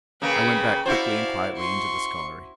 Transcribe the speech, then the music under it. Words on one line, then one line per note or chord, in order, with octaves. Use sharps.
I went back quickly and quietly into the scullery.
C#3 A#3 B4 G5
E4 F#4 C5 D5 F5
C6 C#6